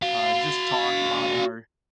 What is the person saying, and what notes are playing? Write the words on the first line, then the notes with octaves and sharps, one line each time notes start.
uh, just talk about our
F#4 F5